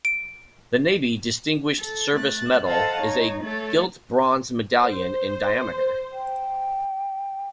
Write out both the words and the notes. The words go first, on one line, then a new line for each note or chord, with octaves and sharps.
The Navy Distinguished Service Medal is a gilt bronze medallion in diameter.
D7
A4
A3 F#6 A6
A4 C5 D#5 F5 F#5 A5
D#4 C#5
A3 A4 C#5
C5
G5